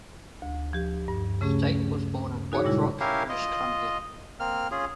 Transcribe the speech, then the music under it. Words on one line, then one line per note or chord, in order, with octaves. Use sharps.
Staite was born in White Rock, British Columbia.
D2
F3 G4
G2
C#3 A3 C#4 G#4
D#4 F#4 G#4 C#5
A#2 C#3 G3 G#3 E4
C#4 E4 G4 A#4 F5
F4 D#5
A#3 C4 F6
C#4 F4 G#4